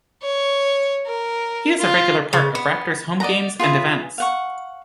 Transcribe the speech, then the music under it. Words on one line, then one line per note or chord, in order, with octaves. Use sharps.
He is a regular part of Raptors home games and events.
C#5
A#4
F4
C#3
B3
D5 D#5 F#5 A#5
F4 G#4 B4 E5
F5 F#5 C#6